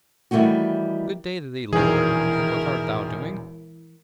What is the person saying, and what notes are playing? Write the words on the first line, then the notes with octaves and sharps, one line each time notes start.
'Good-day to thee, lord; and what art thou doing?'
D#3 E3 G3 A3 C4 F#4
E1 A#1 F#2 D#3 E3 E4 G#4 A#4